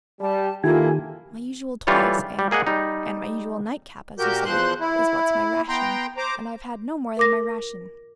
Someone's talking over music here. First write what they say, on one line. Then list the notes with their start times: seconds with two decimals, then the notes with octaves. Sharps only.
My usual twice and--and my usual night-cap, as you say, is what's my ration, and I've had no more than my ration.
0.21 G3 A5
0.64 D#3 A#3 E4 F4 G4 A4 G#5
1.87 E3 G3 F4 A4 C#5
2.39 G3
2.51 A#3 G#4 D#5 F#5
2.67 G3 D#4
4.19 A#2 F#4 G4 A#4 G6
4.45 E2 F3 C5 C6 F#6
4.80 E4
5.68 B3 G5 A#5 C6
6.17 C5 A#5 D6
7.17 A#4 D6 A#6